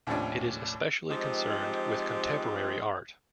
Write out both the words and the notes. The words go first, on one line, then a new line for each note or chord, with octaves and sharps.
It is especially concerned with contemporary art.
D#2 A2 C3 F3 C#4 D4
F3 G#3 C4 D#4 G4